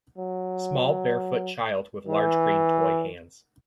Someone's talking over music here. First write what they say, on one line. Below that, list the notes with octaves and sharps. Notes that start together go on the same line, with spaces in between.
Small barefoot child with large green toy hands.
F#3
E3